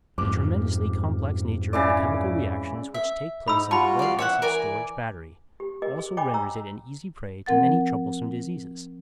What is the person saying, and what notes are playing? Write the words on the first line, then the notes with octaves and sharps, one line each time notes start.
The tremendously complex nature of the chemical reactions which take place in the lead-acid storage battery also renders it an easy prey to many troublesome diseases.
F2 G#2 D6
C#3 E3 D5
E5
G#2 D#4 B5 E6
G3 F4 F#4 A5 B5 C#6
D5 F5
E3 C#5 E5 F#5
A#4 D5 G#5
G4
G4 G#4 A#4 D#5
G#4
C#5 D#5 G5 G#5 B5 D6
C#5 A#5 D6 E6
F3 C4 A#4 F#5 A6